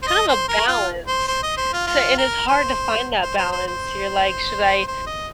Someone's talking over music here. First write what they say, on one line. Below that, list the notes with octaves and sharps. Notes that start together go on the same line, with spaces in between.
kind of a balance. So and it's hard to find that balance. You're like, "Should I,
C5
D#5
C5
A#4
F4
C5
C5
D#5
C5
F4
F4
A#4
C5
C5
C5
C5
C5
C5
D#5